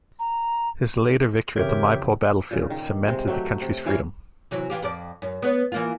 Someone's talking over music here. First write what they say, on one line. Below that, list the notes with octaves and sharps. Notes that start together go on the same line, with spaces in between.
His later victory at the Maipo battlefield cemented the country's freedom.
A#5
F2 C#3 E3 G4 A#4 C#5 E5
A#2 C#3
D#3
C3 G#3
F#3 A3 G4
C3
A#2 E3 C#5 F5
C3 E3 F#3
E3 F4 G4
F2 D5
F#2
B3 C#5
E3 A#3 F4